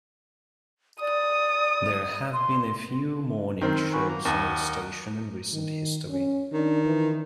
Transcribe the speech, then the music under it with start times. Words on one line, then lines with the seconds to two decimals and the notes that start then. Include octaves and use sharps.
There have been a few morning shows on the station in recent history.
1.01 D5 D#6
2.33 C6
3.61 D#3 C4 A#4 C6
3.92 C#4 F#4 B4
4.09 A#3 A#5
4.25 D#2 A#4 D#5 F#5
5.52 D#3
6.10 C#4
6.53 D#3 D4
6.85 E3